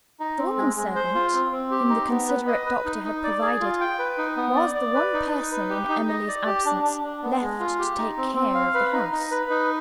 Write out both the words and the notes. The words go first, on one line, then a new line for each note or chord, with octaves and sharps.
The woman-servant, whom the considerate doctor had provided, was the one person in Emily's absence left to take care of the house.
D#4
C4
G#3
G#3
C5
F4
C4
C4
G4
D#4
B3
B4
D#5
B4
D#4
D#4
D5
G#4
F4
G5
B4
D#4
B3
D5
D5
B4
D#4
D#4
B4
G4
D#4
D#5
D5
G4
D4
D4
D4
B3
G#3
F4
G4
D#4
C4
C4
F5
B4
D#4
D#4
B4
D#4